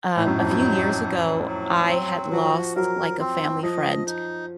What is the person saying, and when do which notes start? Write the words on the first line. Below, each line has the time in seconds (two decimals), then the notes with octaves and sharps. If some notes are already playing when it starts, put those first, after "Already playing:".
Um, a few years ago, I had lost, like, a family friend,
0.16 A2 D#4
0.27 F#2
0.38 F2
0.50 F#2
0.59 F#3
1.02 F#3
1.46 F#3
1.89 C4
2.32 F3 F#4
2.76 F#3 A#4
3.20 C4
3.63 F3 D#5
4.06 D#4